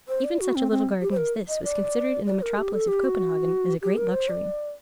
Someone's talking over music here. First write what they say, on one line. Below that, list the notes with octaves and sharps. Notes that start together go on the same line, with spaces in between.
Even such a little garden as this was considered in the metropolis of Copenhagen as a great luxury.
C5
D5
F#4
C4
C4
G4
C5
A#4
D#5
D5
D5
A#4
G4
A4
G4
F#4
G4
A#4
C5
D5